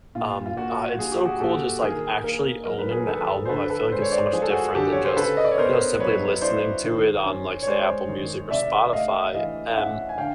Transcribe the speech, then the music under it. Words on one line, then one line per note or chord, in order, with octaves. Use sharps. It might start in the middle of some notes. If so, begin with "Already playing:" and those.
um, I it's so cool just, like, actually owning the album, I feel like it's so much different than just, you know, simply listening to it on, like say Apple Music or Spotify, and
A#2 F4
F4
A#3 F#4
G3 G#4
G4
F#4 G#4
A#2 G4 A4
D#3 G#4 A#4
A#3 G#4 A#4
F#3 A#4
B4
G#4 A#4
D#3 A4 B4
C5
D3 A4 B4
A4 B4
G#3 C5
C#5
C5 D5
F3 G#4
A4
F#4 G#4
D3 G4 A4
C#5
C5
C#3 A4 B4
D#5
D5
C#5
B3 A#4 C5
F#3 B4 C#5
E4 C5 D5
D#3
C#4
C#5
G#3 C5 D5
D#3
C3 D5 E5
A3 D#5 F5
E3 D#5 F5
C#4 E5 F#5
G#5
D3 F5 G5